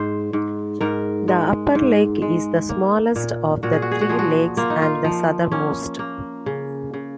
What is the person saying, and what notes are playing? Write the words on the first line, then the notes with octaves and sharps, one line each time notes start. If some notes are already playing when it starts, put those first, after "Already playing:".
The Upper Lake is the smallest of the three lakes, and the southernmost.
Already playing: G#2 C5
G#2
G#2 A#4
G#3
G#2
G#3
A#3
A#2
A#2 F#4
G#4
F#4
G#4
F#4
F3 G#4
F#4
A#3 F4
D#4
F4
F3
A#3 C#4
A#3
C#3
C#3